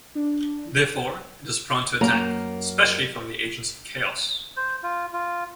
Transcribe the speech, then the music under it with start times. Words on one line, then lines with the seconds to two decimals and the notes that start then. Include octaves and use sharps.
Therefore, it is prone to attack, especially from the agents of Chaos.
0.15 D4
2.01 F#2 A#3 A#5
4.57 C5
4.83 F4
5.13 F4